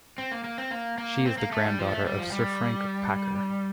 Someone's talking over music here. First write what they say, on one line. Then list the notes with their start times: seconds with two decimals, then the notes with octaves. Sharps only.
She is the granddaughter of Sir Frank Packer.
0.18 C4
0.31 A#3
0.44 A#3
0.58 C4
0.71 A#3
0.98 A#3
1.25 C4
1.38 A#3
1.52 A3
1.65 G3
1.79 F3
1.92 A3
2.06 G3
2.19 F3
2.32 G3